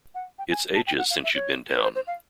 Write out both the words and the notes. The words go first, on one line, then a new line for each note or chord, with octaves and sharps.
It’s ages since you’ve been down.
F#5
G5
G#5
A5
G5
F#5
F5
E5
C#5
B4
C5
C5
F5